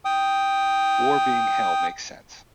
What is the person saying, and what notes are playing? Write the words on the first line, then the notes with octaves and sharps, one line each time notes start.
War being hell makes sense.
G5 D#6